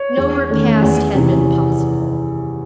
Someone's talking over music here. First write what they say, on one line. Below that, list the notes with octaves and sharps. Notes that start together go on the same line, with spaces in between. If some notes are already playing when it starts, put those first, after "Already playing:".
No repast had been possible.
Already playing: C#5
E2
D#3 A3 C#4
E2
C3 E3